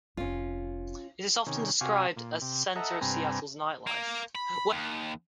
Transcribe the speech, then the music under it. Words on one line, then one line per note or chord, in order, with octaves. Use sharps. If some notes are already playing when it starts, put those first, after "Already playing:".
It is often described as the center of Seattle's nightlife.
F1 C4 C#4 F4
C3 D#3 C#4
C3 F#4 G4 F5 G#5
A#2
C3
A4 D#5 E5 F#5 A#5
G2 C3 C4 B4 G#5 A#5
A#3
B5
D#2